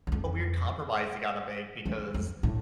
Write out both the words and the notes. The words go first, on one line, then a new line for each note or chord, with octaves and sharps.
a weird compromise you gotta make because,
E2
F2
E2
F2
A2